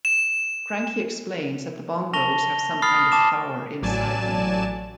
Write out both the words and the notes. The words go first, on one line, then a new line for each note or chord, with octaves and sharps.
Cranky explains that the bongos have some kind of power inside them.
E7
A5 C#6 A#6 F7 G7
B5 D#6 F6 A6 C7
A5 D6 E7
A1 F#3 D5 G#5 A5 E7